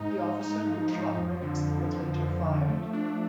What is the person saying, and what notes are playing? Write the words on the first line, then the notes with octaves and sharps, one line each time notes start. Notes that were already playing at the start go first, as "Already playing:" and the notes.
The officer who shot Brooks was later fired.
Already playing: G#2 D#4
G#2
D#4
F3
F3
F2
D3
F2
F2
F2
F3
A3
D4